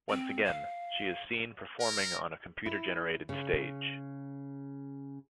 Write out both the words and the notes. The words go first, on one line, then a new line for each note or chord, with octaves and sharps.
Once again, she is seen performing on a computer-generated stage.
C4
F5
A#4
E4
C#3